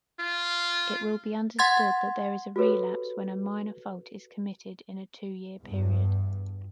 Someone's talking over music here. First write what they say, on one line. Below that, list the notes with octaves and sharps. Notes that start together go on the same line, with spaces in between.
It will be understood that there is relapse when a minor fault is committed in a two-year period.
F4
F#5 C6 G#6 A6
F#4 G4 A4 B4 C#5
E2 G2